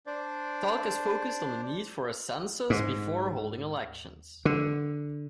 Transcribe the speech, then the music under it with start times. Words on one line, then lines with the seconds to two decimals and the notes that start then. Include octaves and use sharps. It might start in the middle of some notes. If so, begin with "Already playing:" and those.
Talk has focused on the need for a census before holding elections.
0.07 D4 C5 D5
2.70 G#2
4.45 D3